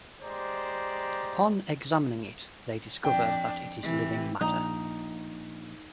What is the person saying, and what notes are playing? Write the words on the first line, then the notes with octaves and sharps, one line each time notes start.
Upon examining it, they discover that it is living matter.
G#3 G4 C5 D5 A#5
F2 D4 G5
C3 E3
A#1 D#4